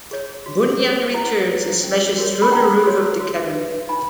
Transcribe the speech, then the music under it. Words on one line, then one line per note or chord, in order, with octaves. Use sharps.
Bunyan returns and smashes through the roof of the cabin.
G#4 C#5
F#4
B4
E4 F#5 A#5
B4
C#4
F#4 A#4 C#5
B5
C#4 F#5 A#5
F#4 C#5
F#4
B4
D#4 G#5 B5